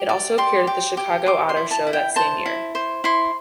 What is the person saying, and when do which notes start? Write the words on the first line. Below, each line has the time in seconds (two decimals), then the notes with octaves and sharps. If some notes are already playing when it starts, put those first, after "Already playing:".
It also appeared at the Chicago Auto Show that same year.
Already playing: G4
0.09 D5
0.38 G4 C6
0.67 G4
0.97 G4
1.26 C5 D6
1.49 C6
1.56 E4
1.71 A5
1.87 E4
1.93 G5
2.16 C5 A5
2.46 E4
2.75 C5
3.04 E4 C6